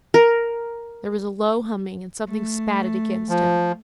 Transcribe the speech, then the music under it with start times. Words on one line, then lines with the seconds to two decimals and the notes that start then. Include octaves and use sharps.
There was a low humming and something spatted against him.
0.14 A#4
2.28 A3
3.29 F3